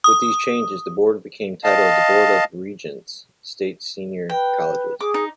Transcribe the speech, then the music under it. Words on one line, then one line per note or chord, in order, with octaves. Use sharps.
With these changes, the Board became titled the Board of Regents, State Senior Colleges.
D#6
D#5 F5 A5
B4 G5
G#4 D6
D#4